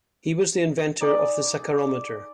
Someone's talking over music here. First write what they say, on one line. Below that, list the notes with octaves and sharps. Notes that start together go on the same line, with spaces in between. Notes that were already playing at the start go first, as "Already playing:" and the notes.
He was the inventor of the saccharometer.
D#4 D5 G#5